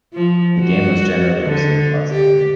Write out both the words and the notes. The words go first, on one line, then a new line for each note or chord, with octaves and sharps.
The game was generally received positively.
F3
F#4
D3
G4